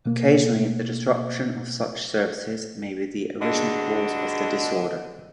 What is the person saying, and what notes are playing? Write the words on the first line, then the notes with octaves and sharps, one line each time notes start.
Occasionally, the disruption of such services may be the original cause of the disorder.
B2 A#3
G2 D3 D4 F#4 G#4 D#5